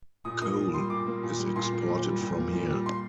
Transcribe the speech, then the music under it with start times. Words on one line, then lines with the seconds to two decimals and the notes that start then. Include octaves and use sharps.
Coal is exported from here.
0.25 A#2 D#6
0.42 A#3 D#6
0.58 A#2
0.74 G3 C6
0.90 A#2 D6
1.06 A#3
1.23 A#2
1.39 G3
1.56 A#2 C6
1.72 A#3
1.88 A#2
2.04 G3
2.21 A#2
2.37 A#3
2.53 A#2
2.70 G3
2.86 C6